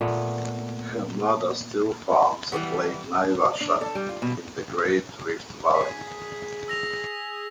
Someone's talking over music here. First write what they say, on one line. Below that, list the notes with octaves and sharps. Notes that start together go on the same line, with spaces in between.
Her mother still farms at Lake Naivasha in the Great Rift Valley.
A#2 A3 B3
E3 G3 B3
D4
A4
G3
F4
B2
G#4 B6
E6 A#6 F7